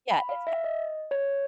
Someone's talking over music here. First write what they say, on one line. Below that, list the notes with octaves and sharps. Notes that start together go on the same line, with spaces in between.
yeah, it's kinda like that
B5
F5
E5
D#5
C#5